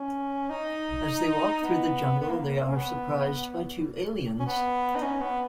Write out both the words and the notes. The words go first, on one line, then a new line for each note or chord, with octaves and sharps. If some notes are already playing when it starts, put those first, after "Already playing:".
As they walk through the jungle, they are surprised by two aliens.
Already playing: C#4
D#4
B3
B3
A#3
A#3
C#4
B3
C#4
B3
D#4
C#4
B3